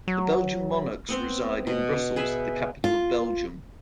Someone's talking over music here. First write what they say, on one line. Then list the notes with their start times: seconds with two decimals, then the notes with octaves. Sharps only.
The Belgian Monarchs reside in Brussels, the capital of Belgium.
0.08 F#3
1.08 B3 C4 C5
1.67 B2
2.16 G#4 B4 E5 G#5
2.84 F4